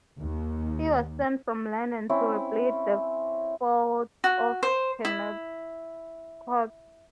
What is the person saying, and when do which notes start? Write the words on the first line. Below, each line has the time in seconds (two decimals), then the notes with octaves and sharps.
He was sent from London to rebuild the Fort at Penobscot.
0.19 D#2
2.09 C4 C#4 E4
4.24 F#4
4.63 C5
5.05 E4